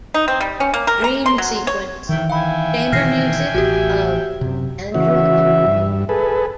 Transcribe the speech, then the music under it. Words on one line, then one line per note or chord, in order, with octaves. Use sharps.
"Dream Sequence - Chamber Music of Andrew Imbrie".
D#4
C4
G3
C#4
A#3
A#4
A#5
C6
F#3
C#5
D#3 E3 E5 G5
E5 F5 G5 G#5 B5
B2 D#3 E3 F6 A#6 C7
A1 F#4 G4
F#2 C3
C#3 E3 F#4 E5
G2
G#4 A4 B4